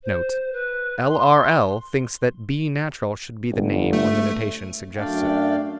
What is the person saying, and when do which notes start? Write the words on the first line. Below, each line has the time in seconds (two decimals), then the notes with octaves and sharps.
NOTE:--L.R.L. thinks that B natural should be the name when the notation suggests it.
0.03 C5
0.53 B4
1.08 C6
3.53 G1
3.93 A3
4.95 F#2 A3 D4 D5 F5 G5